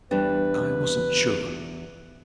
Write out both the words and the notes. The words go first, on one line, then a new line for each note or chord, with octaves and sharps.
I wasn't sure.
E2 G3 D4 B4